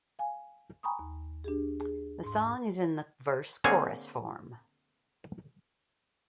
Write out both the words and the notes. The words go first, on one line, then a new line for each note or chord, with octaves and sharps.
The song is in the verse-chorus form.
F5 G#5
G5 G#5 A#5 B5 C#6 D#6
D#2
D4 G4 G#4
G#4
G#2 C6
D3 A#3 C4 G#4 C#5 G#5